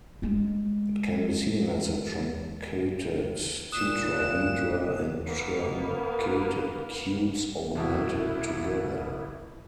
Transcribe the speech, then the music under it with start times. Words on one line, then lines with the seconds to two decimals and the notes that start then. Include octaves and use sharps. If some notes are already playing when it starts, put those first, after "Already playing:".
It can be seen as truncated tetrahedra and truncated cubes augmented together.
0.22 G#3 D4
3.72 D#2 A#2 D#6 F#6 E7
5.27 A#3 B3
7.75 C2 B2 E4